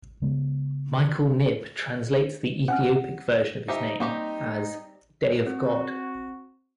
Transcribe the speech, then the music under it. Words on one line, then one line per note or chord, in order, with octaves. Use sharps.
Michael Knibb translates the Ethiopic version of his name as "Day of God".
C#3 G#3 B3
C4 C#4 F#5 F6
F3 D#4 G4 E5
G3 A#3 C4 C#4 D#4 G4 C#6
C4 F#4